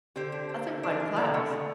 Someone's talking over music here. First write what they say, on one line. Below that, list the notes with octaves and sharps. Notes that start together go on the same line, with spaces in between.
That's a fun class.
D3 G4 C5
D4
D4
D3
D4
D4
D3 A4 D5
A3
D3